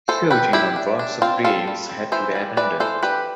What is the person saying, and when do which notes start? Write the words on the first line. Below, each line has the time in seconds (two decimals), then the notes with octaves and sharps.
Shooting on "Box of Dreams" had to be abandoned.
0.08 E3 A4 C5
0.31 G3 G4 B4
0.53 D4 E4 G4
0.76 D4
0.99 D4
1.22 C4 F4
1.44 G3 F4 A4
1.68 G3
1.89 C4
2.12 E3 C5 E5
2.35 G3
2.57 E3 B4 D5
2.80 E3 A4 C5
3.03 D4 G4 B4